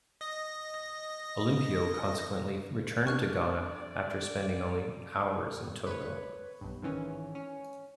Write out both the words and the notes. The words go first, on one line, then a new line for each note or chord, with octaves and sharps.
Olympio consequently returned to Ghana after spending only hours in Togo.
D#5 A#6
C4 D4 D5 C#6 F6 F#6
B4 C#5
B1 G2
G#2 D#3 E3 C#4
C#4